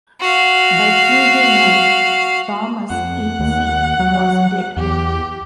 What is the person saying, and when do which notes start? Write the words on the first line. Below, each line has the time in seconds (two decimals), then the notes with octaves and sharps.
By Tuesday night, Thomas Ince was dead.
0.20 F#4 F5
2.90 F2 F#5
3.39 D#2
3.99 F#3
4.77 E2 G4